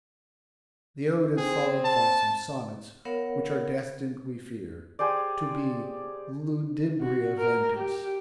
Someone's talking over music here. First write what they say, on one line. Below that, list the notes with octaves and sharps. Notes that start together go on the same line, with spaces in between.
The ode is followed by some sonnets which are destined, we fear, to be ludibria ventis.
C4 G#4
A5
B3 A#4 C#5 F5 F#5
G4 G#4 C5 D5
F#4
A#4
G4